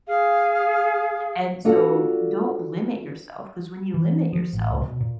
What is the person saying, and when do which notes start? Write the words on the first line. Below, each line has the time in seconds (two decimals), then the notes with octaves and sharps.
and so don't limit yourself 'cause when you limit yourself,
0.08 G#4 F5
1.65 D4 F4 F#4 A4
3.94 E3
4.33 F3
4.53 A1
4.70 C#2
4.82 B2
5.01 A#2